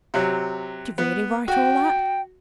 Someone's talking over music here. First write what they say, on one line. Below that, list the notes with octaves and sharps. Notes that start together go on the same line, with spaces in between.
Did she really write all that?
C3 F#3
B3
F#4 G5